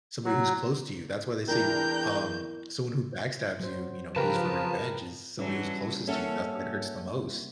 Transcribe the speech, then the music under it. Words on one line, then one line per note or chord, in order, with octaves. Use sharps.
somebody who's close to you. That's why they say, um, someone who backstabs you, you know, goes for revenge, is somebody who's closest to you, that's why it hurts the most.
F#3
E2 D4 E4 A#4 G5 A#5 G6
F#3 C5
C#3 F3 G4 A#4 B4 F5 A5 A#5
E3 F#3 G3 A3 C#4
A#3 C#4 A4 E5 F#5